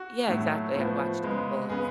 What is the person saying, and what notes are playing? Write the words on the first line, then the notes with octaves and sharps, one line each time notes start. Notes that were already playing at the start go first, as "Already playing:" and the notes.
Yeah, exactly, I watched a couple of
Already playing: F#4
A2 F#3 A3
A2 F3 B3
C#3 G#3 B3
C#3 G#3 B3 G#4